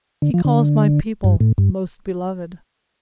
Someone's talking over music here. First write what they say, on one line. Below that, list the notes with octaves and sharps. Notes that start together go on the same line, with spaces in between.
"He calls my people 'most beloved'."
D3
F3
D3
G2
A2
G2